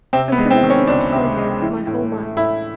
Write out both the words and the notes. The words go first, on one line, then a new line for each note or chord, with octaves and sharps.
And permit me to tell you my whole mind.
C3 C4
B3
G#3
C4
D#3
C#4
C#2 D4
C3
G#3
E3
A2
A3
A2 E4